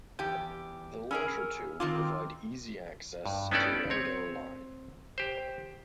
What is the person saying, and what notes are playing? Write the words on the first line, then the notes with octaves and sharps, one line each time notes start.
The latter two provide easy access to the Oedo line.
E2 G4 G6
C#4 G#4 A#4 B5 E6 F6
D#3 C4 F4 D6
G2
B3 C#4 D#4 E4 A4 D5
C4 C#5
G4 C5